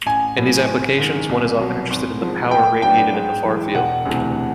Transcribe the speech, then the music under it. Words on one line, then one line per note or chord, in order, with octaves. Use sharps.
In these applications, one is often interested in the power radiated in the far-field.
A1 G#5
A2 F#3 B3
G#1
G#2 D#3
C2
B2 F#3
G#1
G#2 F3
A2 G5
F#3 B3 D4 G5
G#2
E3 G#3
E1 F#5
D2 C3 E3 A3